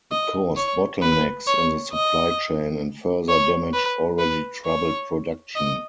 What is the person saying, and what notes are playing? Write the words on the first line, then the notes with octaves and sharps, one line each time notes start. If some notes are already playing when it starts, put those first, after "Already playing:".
It caused bottlenecks in the supply chain and further damaged already troubled production.
D#5
C#5
B4
C#5
D#5
C#5
B4
B4
C#5
D#5